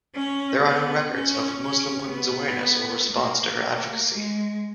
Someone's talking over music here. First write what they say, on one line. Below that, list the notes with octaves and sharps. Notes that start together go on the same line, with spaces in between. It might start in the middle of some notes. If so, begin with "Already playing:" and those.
There are no records of Muslim women's awareness or response to her advocacy.
C#4
B3
C#4
C#4
B3
A#3
G#3